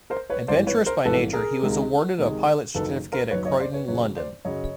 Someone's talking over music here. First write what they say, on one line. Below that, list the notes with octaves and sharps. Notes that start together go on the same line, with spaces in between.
Adventurous by nature he was awarded a pilot certificate at Croydon, London.
A#4 C5
B4 C#5
G#1 G2 E3 C5 D5
B4 C#5
A#4 C5
G#1 G2 E3 A4 B4
G#4 A#4
C#2 C3 D#3 G#3
C#2 C3 D#3 G#3
F#1 F#2 D#3 F#3 A4 B4
A#4 C5
F#1 F#2 D#3 F#3 B4 C#5
C#5 D#5
C5 D5
B4 C#5
F#2 C#3 F#3 B4 C#5
C5 D5
F#2 C#3 F#3 C#5 D#5